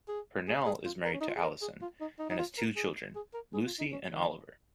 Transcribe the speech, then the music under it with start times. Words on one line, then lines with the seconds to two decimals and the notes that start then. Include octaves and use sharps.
Purnell is married to Alison and has two children, Lucy and Oliver.
0.09 G#4
0.47 G#4
0.66 G#4
0.85 F4
1.05 A#4
1.14 C#4
1.21 D#4
1.29 F4
1.36 G#4
1.42 A#4
1.62 G#4
1.82 F4
2.00 D#4
2.19 D#4
2.30 D#4
2.39 F4
2.58 A#4
2.76 G#4
3.15 G#4
3.34 A#4
3.54 G#4
3.66 F4
3.79 D#4
3.92 C#4
4.11 D#3